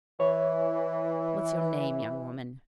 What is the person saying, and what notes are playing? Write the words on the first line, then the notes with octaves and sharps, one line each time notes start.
What's your name, young woman?'
E3 C#5